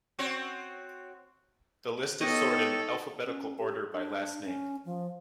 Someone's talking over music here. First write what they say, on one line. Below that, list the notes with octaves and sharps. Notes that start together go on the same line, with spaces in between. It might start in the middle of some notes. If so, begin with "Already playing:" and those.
The list is sorted in alphabetical order by last name.
C4 F#4 C#5
B3 D#4 G4 A4 C#5 D#5 C#6
C#4
G4
D4
C#4
F3